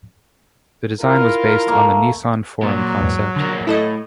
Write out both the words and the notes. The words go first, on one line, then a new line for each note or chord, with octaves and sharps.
The design was based on the Nissan Forum concept.
E4 F4 A#4
A3 A#3
A#2 F#3
E2 G#2
B1 D3 A#3
A2 E4 A4 D#5